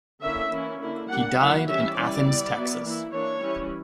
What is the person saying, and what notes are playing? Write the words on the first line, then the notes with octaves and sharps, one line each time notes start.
He died in Athens, Texas.
D3 A#3 C#4 E4 E5
E3 A#3 C#4 E4
D3 A#3 E4
G3 A#3 D4 F#5
F#3 A#3 E4 F#5
E3 G3 C#4 E4 E5
E3 G3 C#4 E4 D5
G3 B3 E4
F#3 B3 E4
E3 A#3 E4
E3 A#3 D4 C#5
E3 G3 C#4 E4